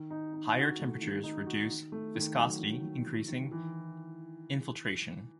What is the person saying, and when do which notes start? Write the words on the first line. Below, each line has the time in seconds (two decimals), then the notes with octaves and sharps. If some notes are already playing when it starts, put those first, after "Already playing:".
Higher temperatures reduce viscosity, increasing infiltration.
Already playing: D#3
0.11 D#4
0.34 D#4
0.55 F#4
0.79 A3
1.02 D#3
1.24 D#4
1.47 F#4
1.70 D#3
1.92 A3
2.15 D#3
2.38 F#3
2.60 D#3
2.82 D#3
3.05 D#3
3.28 D#3
3.51 E3